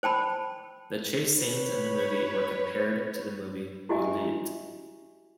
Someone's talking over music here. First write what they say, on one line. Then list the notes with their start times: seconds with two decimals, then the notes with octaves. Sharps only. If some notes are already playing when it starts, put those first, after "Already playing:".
The chase scenes in the movie were compared to the movie "Bullitt".
0.03 C5 G5 A5 B5
1.41 B4 C#5
3.89 E4 F#4 G4 D#5 E5 G#5